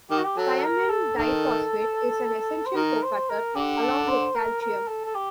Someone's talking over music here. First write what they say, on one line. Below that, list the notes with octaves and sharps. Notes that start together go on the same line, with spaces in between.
Thiamine diphosphate is an essential cofactor, along with calcium.
D#3 G4
F#4
G4
F#3 A4
A4
A#4
A4
D#3 A4
C5
D#3 A#4
C5
A#4
D3 G4
A4
C5
A#4
A#4
A4
A4
G4